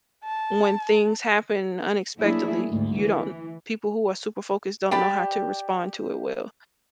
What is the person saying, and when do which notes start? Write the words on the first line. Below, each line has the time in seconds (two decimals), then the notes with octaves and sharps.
when things happen unexpectedly, you don't people who are super focused don't know how to respond to it well.
0.24 A5
2.18 F#3 A3 A#3 D4 E4 G#4
2.69 D2 G#2
3.00 E3
4.91 G4 D5 A5 B5